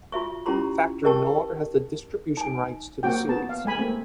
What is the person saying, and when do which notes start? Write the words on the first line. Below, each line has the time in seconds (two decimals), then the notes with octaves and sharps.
Factory no longer has the distribution rights to the series.
0.12 F4 F#4 E5 C#6
0.46 C#4 E4 F4 G4 A#5 C6
1.04 G4 A#4 D#5 G5 A5 C#6
2.37 D#4 G#5
3.03 A#3 C4 F#4 G5
3.29 B3 A5
3.49 F5
3.65 G#3 A3 G#5 B5
3.78 A#3 C4